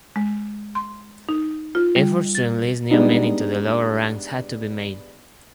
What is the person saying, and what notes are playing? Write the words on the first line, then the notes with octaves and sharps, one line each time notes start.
Efforts to enlist new men into the lower ranks had to be made.
G#3
C6
D#4
F4
G3
A6
G3 G#3 B3 D4 D#4